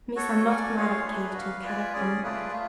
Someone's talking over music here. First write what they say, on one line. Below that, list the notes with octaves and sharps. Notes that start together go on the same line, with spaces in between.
Missa not come out of cave till Kadok come back.
F#4 A4 C#5
F#4 A4 D5 G#5
A3 F4 G#4 C#5 F5
A3 D4 G#4 B4
F#4 B4 F5
F4 B4 D5 G#5
C#4 G#4 D5
A3 F4 G#4 B4 D5
A3 F4